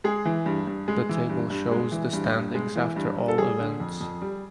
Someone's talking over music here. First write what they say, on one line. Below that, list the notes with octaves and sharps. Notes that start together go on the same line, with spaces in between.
The table shows the standings after all events.
G#3 G#4
E3
G2
G2
G#3
E3
G2
G2
G#3
E3
G2
G2
G#3
E3
G2
G2
A4
G3 G#4
D3
F2
F2
G3